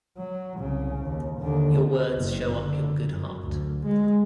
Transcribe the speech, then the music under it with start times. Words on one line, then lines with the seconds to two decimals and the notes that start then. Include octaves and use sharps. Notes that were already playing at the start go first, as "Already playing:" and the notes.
Your words show up your good heart.
0.17 F#3
0.59 C2 C#3
1.03 D#2
1.39 D#2 D3
2.17 F#1
2.56 D3
3.10 F#2
3.44 D2
3.86 G#3